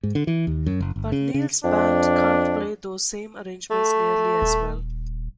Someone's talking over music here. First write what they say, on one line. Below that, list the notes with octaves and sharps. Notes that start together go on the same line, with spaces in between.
But Neal's band can't play those same arrangements nearly as well.
G#2
D3
E3
D#2
F#2
F#1
G1
C#3
C#3
F2 D4
A3
D#1